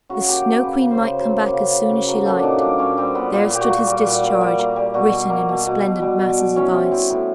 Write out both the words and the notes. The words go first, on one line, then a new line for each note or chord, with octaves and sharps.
The Snow Queen might come back as soon as she liked; there stood his discharge written in resplendent masses of ice.
C#3 F#4
A#3 G4
F#3
C#3 B4
C#3
C5
C#3
F#3 C5
A#3
C#3
C#3
C#3
F#3
A#3 A4
A#2 D4 D#4
G3 D4
A#2 C#4
G3 C4
A#2 B3
A#2 F4
A#2 G4
F#4
A#3
G3
A#2
A#2
G3
A#3
G3
B2 F#4
G3
A#3
B2
B2
B2
G3
B2
B2
E3 C#4
E3 C4
E3 C4
A2 B3